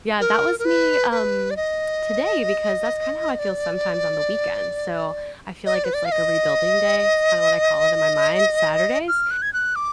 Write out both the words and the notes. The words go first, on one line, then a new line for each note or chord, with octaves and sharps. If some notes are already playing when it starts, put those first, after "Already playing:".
Yeah, that was me, um, today because that's kinda how I feel sometimes on the weekends, so I feel like it's, like, a rebuilding day, it's kinda what I call it in my mind, Saturdays,
A#4
A#4
B4
B4
D5
D#5
D5
D#5
D5
B4
D5
F5
D#5
F6
F#6
G#6
F#6
D6